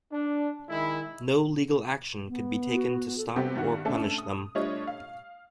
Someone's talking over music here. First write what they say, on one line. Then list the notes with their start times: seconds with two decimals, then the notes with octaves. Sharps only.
No legal action could be taken to stop or punish them.
0.11 D4
0.69 D#3 G#3 E4
2.29 B3
2.74 F#4
3.17 A4
3.36 C3 G3 B3 C4 F#4 G4
3.56 G2 D#3 G3 F#4
3.85 A3 C#4 D4 A4
4.18 D#6
4.55 G3 A3 D4 F4 C#5 D#5
4.87 F5